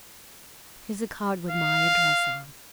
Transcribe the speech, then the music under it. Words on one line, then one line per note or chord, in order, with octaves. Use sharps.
Here's a card with my address on.
F5